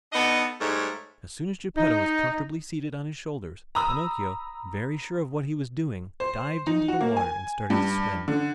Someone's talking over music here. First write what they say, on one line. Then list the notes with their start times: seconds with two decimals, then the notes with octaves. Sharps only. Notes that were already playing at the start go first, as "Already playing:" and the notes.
As soon as Geppetto was comfortably seated on his shoulders, Pinocchio, very sure of what he was doing, dived into the water and started to swim.
0.13 B3 D4 D#4 A4 D#5
0.60 G#2 G3 A3 C#5
1.76 D#4
3.75 A#5 B5 D#6 E6
6.20 C5
6.67 D#4
6.88 F#4
7.01 A#3
7.17 G#5
7.70 G2
8.28 D3